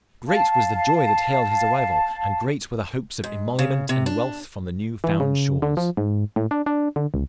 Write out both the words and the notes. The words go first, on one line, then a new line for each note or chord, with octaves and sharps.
Great was the joy that hailed his arrival, and great were the hopes of emolument and wealth from the new-found shores.
F5 A5
G#2
C#3
C3
D4
E3
C#3
D3
F3
G#2
A2
D4
D4
D3
C#2